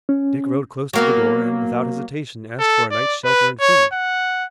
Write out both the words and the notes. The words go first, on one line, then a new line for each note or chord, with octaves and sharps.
Dick rode close to the door, and, without hesitation, asked for a night's shelter and food.
C#4
F#3 A#3 B3
A4
D5
B4
C#5
F#5